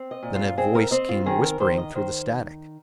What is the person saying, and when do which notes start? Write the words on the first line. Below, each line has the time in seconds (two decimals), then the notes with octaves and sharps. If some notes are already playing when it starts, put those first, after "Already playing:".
Then a voice came whispering through the static.
Already playing: C4
0.11 D#5
0.23 A#2
0.35 F4
0.58 C4 G#4
0.75 A#4
0.91 C4 D#5
1.09 F4
1.26 D#3 G#4
1.44 A#4
1.60 D#3 C5
1.78 D#5
1.95 D#3 C5